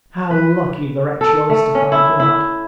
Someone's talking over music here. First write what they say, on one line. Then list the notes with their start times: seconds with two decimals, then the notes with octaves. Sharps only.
How lucky the wretch was to find me out!
0.31 B4
1.21 A4
1.50 A3
1.75 C#4
1.92 E4
2.20 E4